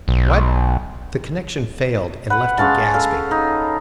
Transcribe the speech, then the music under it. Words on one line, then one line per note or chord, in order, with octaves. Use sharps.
What!!--' The connection failed and left him gasping.
B1
B4 F#5
G#3 C#4 F5 A5
A4 F5
D#4